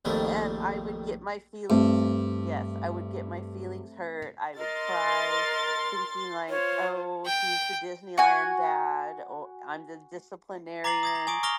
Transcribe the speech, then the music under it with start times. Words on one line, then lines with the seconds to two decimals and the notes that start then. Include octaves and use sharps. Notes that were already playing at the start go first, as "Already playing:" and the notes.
And I would get my feelings Yes, I would get my feelings hurt, I would cry, thinking, like, "Oh, he's the Disneyland dad. O I'm the disciplinarian,"
0.05 A#1 F2 D#3 G3 A3
1.70 G2 A3 C4
4.58 A#4 D#5 C6 A6
6.49 F4 C5 C#5
7.25 G5
8.18 F#4 G#5
10.84 A#5 D6 A6 A#6 C7 F#7
11.03 D#6 G#6 A#6
11.15 A#5
11.27 G#5 C#6 D#6 D7
11.43 C#6 D#6 F6 A#6 F7 G7